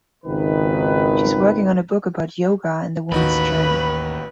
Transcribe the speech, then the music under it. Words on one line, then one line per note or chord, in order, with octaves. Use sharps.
She is working on a book about yoga and the woman's journey.
G#1 C#2 D#3 B4
A1 D#2 D#3 D#4 F#4 B4 B5